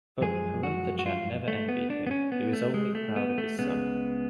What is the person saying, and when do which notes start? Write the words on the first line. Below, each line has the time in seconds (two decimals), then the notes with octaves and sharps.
But, Perunthachan never envied him, he was only proud of his son.
0.21 F#2 F3 G#3 G#4
0.63 F#4
0.99 F#4
1.06 F4
1.48 A3
1.69 B3
1.90 D4
2.07 B3
2.11 C#4
2.32 B3
2.53 A3
2.74 G#3
2.95 A3
3.16 B3
3.38 A3
3.59 C#2 C#3 G#3 B3